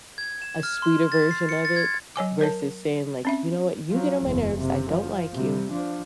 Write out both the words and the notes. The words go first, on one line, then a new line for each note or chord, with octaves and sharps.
a sweeter version of it, versus saying, like, "You know what, you get on my nerves, I don't like you."
G#6
E7
F6
C6
A6
C7
C#7
A6
G#6
F#3 C#5 G#5 D6
A#4 C#5 A5
C4 C#4 E5
F3 F#3
F#1 E2
C3
F3
C3 G3
F3 D4